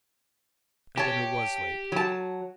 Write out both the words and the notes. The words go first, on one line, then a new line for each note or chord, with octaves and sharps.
And dinner was late.
G4 C#5 A5
F#3 A5